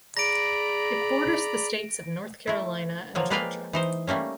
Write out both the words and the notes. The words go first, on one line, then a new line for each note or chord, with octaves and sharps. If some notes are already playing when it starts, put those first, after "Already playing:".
It borders the states of North Carolina and Georgia.
G#4 D5 A#5 B5 A#6 D7
A3 E4
F3 F#3 A#3
G#3 A#3 B4 D5 F5 G5
E3 D#4 C5
G3 A3 A#3 C#4